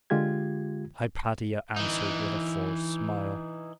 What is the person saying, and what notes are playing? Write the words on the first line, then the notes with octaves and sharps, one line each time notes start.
Hypatia answered with a forced smile.
D3 G#3 F4 G4 G#6
E3 D#4